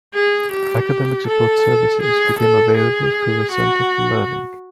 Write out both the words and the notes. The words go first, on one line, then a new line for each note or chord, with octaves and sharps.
Academic support services became available through the Center for Learning.
G#4
G4
A4
G#4
A4
G#4
F#4